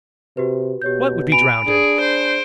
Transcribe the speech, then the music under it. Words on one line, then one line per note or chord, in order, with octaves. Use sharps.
"What would be drownded?"
C3 F#4 G4 B4
B2 G4 C#5 G6
G#5 B5 D7 F7
D4 G#4
C5